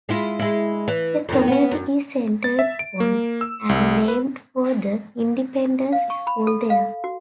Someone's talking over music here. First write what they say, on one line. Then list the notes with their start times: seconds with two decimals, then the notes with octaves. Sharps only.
The community is centered on and named for the Independence School there.
0.09 G#3 E4 F4
0.39 G#3 E4
0.88 E3
1.29 F2 D#3
1.48 B3 C#4
1.72 F#2
2.44 A6
2.59 E5
2.79 D7
3.00 A#3
3.41 E6
3.69 C2
4.08 B4
5.92 F5
6.10 C#6
6.27 B5
6.47 A4
6.70 F5
7.04 F#4